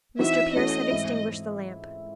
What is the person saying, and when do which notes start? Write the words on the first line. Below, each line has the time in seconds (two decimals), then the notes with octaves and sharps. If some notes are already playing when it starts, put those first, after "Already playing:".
Mr. Pearce had extinguished the lamp.
0.19 E3 C4 D#4 F#4 E5
0.55 E3 A3 C#4 F#4 D#5
0.90 G#2 E3 C4 E4